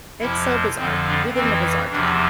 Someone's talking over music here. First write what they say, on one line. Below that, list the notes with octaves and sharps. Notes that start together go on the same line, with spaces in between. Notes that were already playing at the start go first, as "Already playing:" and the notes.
it's so bizarre. We live in a bizarre time.
F2 C3 F3 E4
F2 D3 F3 C4
D4
F2 E3 C4
E2 C3 F3 D4